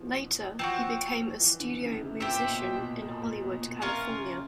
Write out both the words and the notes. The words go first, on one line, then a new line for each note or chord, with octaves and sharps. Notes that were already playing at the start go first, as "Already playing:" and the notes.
Later he became a studio musician in Hollywood, California.
Already playing: B2 E3 F3
F3 C4 D#4 F#4
E3
D3
C#3
C3
A#2 G4 C5 E5
B2
A#2
B2
A#2
A#2
B2
B2
C3 C#4 F4 A#4
C#3